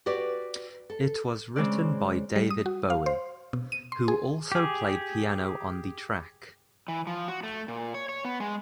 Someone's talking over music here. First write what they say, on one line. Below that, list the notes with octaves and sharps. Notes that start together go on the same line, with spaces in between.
It was written by David Bowie, who also played piano on the track.
F#4 G4 B4 D5
A4
C#3 G#3 C4 D5
G3
D#6
F#4
F5
C5
B2
D#7
C6
G#4
G4 G#4
E3
F3
F#4
A3
A#2
C#5
C#5
B3
G#3